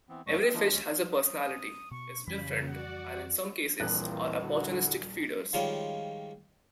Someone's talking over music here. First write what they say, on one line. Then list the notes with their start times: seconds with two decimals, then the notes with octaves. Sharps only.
Every fish has a personality, is different, and, in some cases, are opportunistic feeders.
0.09 E3 B3 C4
0.27 F#2 C#3 F#3 G#3 A3 C#6
0.42 C4 D#5 D#6
0.53 E3 F3 G#3 D4 D#4 F4
0.71 D2 G#3 C#4
1.08 D#6
1.91 B2 C#6
2.27 F2 C#3 E3 G3 B5
2.69 F#4 D5 F#5
3.80 D#1 A#1 E3 A#3 C4 F#6
4.42 D3 E4 F#4
5.53 D#3 F3 G3 G#3 C#4 F4